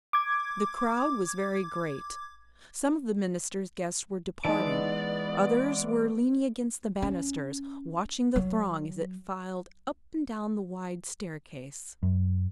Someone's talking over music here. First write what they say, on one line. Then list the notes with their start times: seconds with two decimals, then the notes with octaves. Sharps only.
The crowd was very great, some of the Minister's guests were departing, others were leaning against the banisters watching the throng as it filed up and down the wide staircase.
0.13 D6 G#6
4.45 E3 G#3 B3 D4 D#4 D5 D#5
7.02 C#4
8.36 F#3
12.03 F#2